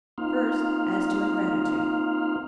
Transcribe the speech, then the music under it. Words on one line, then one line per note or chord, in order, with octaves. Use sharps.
First, as to ingratitude.
A#3 C4 D#4 F4 F5